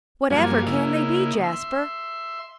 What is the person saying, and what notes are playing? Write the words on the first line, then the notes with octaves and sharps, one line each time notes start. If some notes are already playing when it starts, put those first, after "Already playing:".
"Whatever can they be, Jasper?"
G2 F3 F#3 A#3 G#5
C#3 A#3 D#4 E4
E5 C6